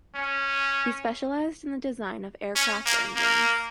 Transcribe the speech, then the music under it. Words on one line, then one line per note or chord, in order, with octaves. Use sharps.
He specialised in the design of aircraft engines.
C#4
C#4
A#3
A#3